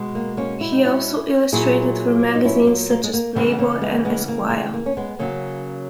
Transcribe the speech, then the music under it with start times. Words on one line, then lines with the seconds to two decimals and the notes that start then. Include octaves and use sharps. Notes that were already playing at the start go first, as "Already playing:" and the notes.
He also illustrated for magazines such as Playboy and Esquire.
Already playing: B2 G#3
0.15 A#3
0.37 A#3 C#4
0.61 E4
0.72 D#4
0.85 C#4 E4
1.52 A#2 F#3 E4 G#4
2.35 D#4
2.45 C#4 E4
2.67 A#3
2.90 A#3
3.04 G#3
3.14 A#3
3.35 C#3 E3 G#3 B3
3.44 C#4
3.51 G#3 B3
3.58 A#3 C#4
3.81 G#3 B3
4.05 G#3 B3
4.28 A#3
4.50 G#3
4.74 A#3
4.86 C#4
4.97 G#3 B3
5.19 C#3 F#3 A#3 C#4